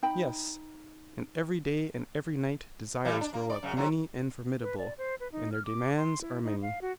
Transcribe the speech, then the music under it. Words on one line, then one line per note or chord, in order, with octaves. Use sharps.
Yes; and every day and every night desires grow up many and formidable, and their demands are many.
D#4 G5 B5
E3 G3 A#3
D4
A#3
D5
F#2 C#3
C3 F#3
B4
D5
C5
B4
D#4
F6
D6
C6
E4
D#4
F5
F#4